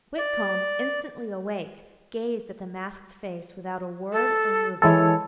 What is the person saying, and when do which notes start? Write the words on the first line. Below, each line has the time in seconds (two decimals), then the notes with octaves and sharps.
Whitcomb, instantly awake, gazed at the masked face without a word or movement.
0.18 D5
4.13 A4
4.82 E3 G#3 A4 C#5